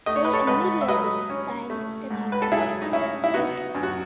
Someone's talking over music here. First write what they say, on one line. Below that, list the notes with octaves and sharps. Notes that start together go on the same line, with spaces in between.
They immediately signed the contract.
A3 D#5
C#5
B4
A4 C#5
G#2 B4 D#5
E5
F#3 B4 D#5
C#4
A3
G#2
B4
A4
F#3 E4 G#4
D#4
C#4 E4
E4
B3 D#4 F#4
F#2
F#4